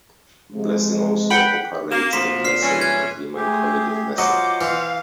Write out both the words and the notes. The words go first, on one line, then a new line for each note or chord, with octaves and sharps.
Blessing also operates the Blessing Rieman College of Nursing.
C3 F3 G#3
F#5 G5 B5
A#3 C4 E7
D2 B2 F3 A#3 F4 C6 B6 E7
D5 F6 C7
E3 G3 C#4 F4
F#6 G#6
A3 G4 G#4
F#3 F4 C5 D#5 F#5 D6
E3 F5